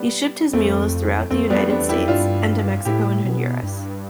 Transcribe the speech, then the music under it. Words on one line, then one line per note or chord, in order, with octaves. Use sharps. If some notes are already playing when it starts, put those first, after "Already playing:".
He shipped his mules throughout the United States, and to Mexico and Honduras.
Already playing: G3 B3
F2 A3 C4
F2 A3 C4
G3 B3
B3 D4
E2
E4 G4
F2
G2 D4 F4
A2 E4 G4
B2
G2